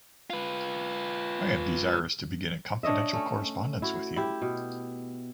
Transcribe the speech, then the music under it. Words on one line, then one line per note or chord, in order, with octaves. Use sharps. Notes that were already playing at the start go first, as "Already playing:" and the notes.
I am desirous to begin a confidential correspondence with you.
F4 B4
D4 C#5 D#5 E5
A3 C#4
E4 F#4
E4 G4
B2